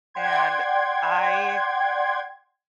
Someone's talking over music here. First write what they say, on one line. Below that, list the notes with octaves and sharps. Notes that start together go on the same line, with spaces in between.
and I
D5 F#5 G5 C6 G#6